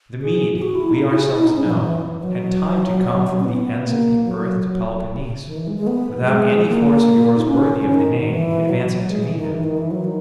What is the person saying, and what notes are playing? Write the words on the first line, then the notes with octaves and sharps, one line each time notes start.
The Mede, we ourselves know, had time to come from the ends of the earth to Peloponnese, without any force of yours worthy of the name advancing to meet him.
G#4
G#4
F#4
E4
D#4
E4
F#4
G#4
E4
D#4
C#4
F#3
E3
E3
E3
F#3
C#4
B3
A#3
F#3
D#3
E3
G#3
G#3
B3
F#3
G#3
A#3
D#4
C#4
D#3
E3
F#3
F#3
G#3
E3
D#3
E3
D#3
E3
F#3
D#3